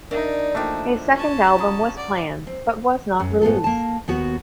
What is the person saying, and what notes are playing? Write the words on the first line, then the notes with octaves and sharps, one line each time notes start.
A second album was planned but was not released.
D4 D#4 A#4 E5 F#5
F3 A3 A#3 D4 E4 G5
C#4 A5
F#2 F4 A#5 D#6
D5 F#5
C4
F#2
G#2 B3 F4 A4
A#3 A5
D#2 B3 F#4